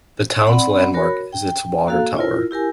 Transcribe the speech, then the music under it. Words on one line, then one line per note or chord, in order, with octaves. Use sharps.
The town's landmark is its water tower.
C4 D5 F#5 B5
F#4 A#4 C#5 B5
G5
A#3 F#4 A4 F5
E4 F4 A#4
E4 G4 A#4 G#5